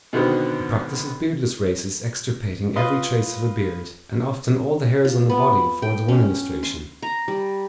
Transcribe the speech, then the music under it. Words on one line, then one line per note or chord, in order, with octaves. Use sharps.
The practice of beardless races extirpating every trace of a beard, and often all the hairs on the body affords one illustration.
B2 D3 D#3 B3 C4
F4 B4 D#5 C6
F4
B3
G5
C#4
C6
A#5
G3